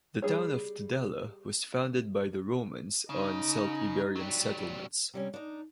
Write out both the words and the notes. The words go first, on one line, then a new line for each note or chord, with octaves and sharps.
The town of Tudela was founded by the Romans on Celt-Iberian settlements.
G3 G#4 C#5
C#3 D#4
F#3 G3
C3 G3 C#4
D4 D#4